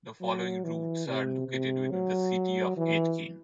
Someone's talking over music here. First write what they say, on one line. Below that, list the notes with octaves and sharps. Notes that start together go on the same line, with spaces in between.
The following routes are located within the city of Aitkin.
F#3
E3
C3
C3
F#3
E3